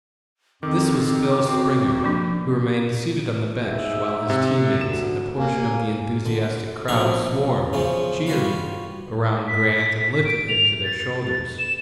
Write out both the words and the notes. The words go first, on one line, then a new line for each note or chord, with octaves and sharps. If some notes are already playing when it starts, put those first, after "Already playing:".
This was Phil Springer, who remained seated on the bench while his team-mates and a portion of the enthusiastic crowd swarmed, cheering, around Grant and lifted him to their shoulders.
F2 D#3 C4 D6
C4 F#4
F3 A#3 D4
G#2 E5
C3
D2 E7
A#3 G#5
D3
A#1 B2 C4 D4 A#5 C#6
E2 C#3 F3 C#4
G3 F4 F#4 B4 C#5
B6
D7
F7
A6
E7